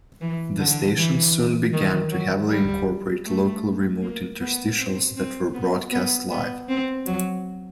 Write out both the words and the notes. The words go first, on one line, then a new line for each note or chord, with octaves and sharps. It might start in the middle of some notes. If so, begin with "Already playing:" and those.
The station soon began to heavily incorporate local remote interstitials that were broadcast live.
E3
D3
E3
D#3
F#3
G3
A3
A#3
B3
C4
C4
B3
B3
B3
C4
F#3